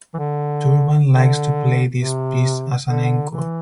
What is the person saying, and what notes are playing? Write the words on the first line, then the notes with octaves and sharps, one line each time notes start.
Turban likes to play this piece as an encore.
E3
D3
D3
C3
D3
E3